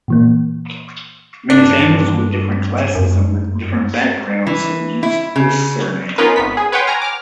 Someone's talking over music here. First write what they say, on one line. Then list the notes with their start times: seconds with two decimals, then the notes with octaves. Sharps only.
Many families from different classes and with different background used this surname.
0.08 A#2 E3 A#3
1.50 G2 D4
2.95 F#2
4.47 E3
5.03 E4
5.36 C#3
6.18 B3 C#4 D#4 F4 A#4 B4
6.36 G#1 B3 B6
6.57 G#4
6.72 B4 C#5 F#5 G5 C6
6.87 G#5 A#5 F6
7.02 D6 F6